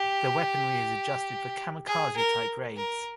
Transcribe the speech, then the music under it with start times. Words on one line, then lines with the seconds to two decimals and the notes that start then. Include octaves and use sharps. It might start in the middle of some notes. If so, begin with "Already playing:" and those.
The weaponry is adjusted for kamikaze type raids.
Already playing: G4
1.87 G#4
2.16 A#4
2.77 A#4